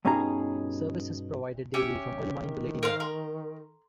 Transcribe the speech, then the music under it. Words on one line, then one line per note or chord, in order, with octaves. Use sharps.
Service is provided daily from early morning to late evening.
G2 B2 C#4 D#4 G#4 A#5
C#4 G4 E5 G#5
D#3
A#4 C5 F5
A#4 A#5 C6